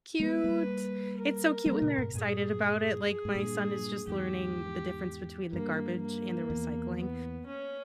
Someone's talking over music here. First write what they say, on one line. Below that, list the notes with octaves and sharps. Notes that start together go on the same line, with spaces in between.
Cute, it's so cute when they're excited about it, like, my son is just learning the difference between the garbage and the recycling,
G#3 B3 B4
G3 A#3
A#4
G3 A#3
A#2 C#3
G#2 B2
G2 A#2 G#4
G#4
G#2
G2 A#2
E2 G#2 G4
G2 A#3
A#3
E2
B3
C#4